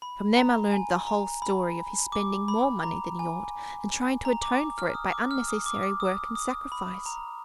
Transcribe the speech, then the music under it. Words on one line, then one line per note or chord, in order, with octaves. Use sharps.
From them I learned the whole story of his spending more money than he ought and trying to atone for it by unnecessary work and sacrifice.
B5
A#5
G#5
A#5
B5
D6
B5
A#5
G#5
A#5
D6
F6
D#6
D6
F6
D#6
D6
D6
D#6
D#6
B5
A#5